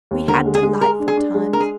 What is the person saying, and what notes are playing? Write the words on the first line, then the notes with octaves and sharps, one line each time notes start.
We had delightful times.
D#2
D3 A#4
G#3
G#4
G#3
G#3 A#4
D4
G#4
D4
G#3
D4 A#4
G#4